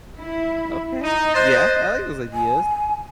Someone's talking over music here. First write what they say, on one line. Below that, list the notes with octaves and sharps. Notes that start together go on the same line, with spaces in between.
Okay. Yeah, I like those ideas.
E4
D#4 D#5 D#7
C5 F#6 A6
G#5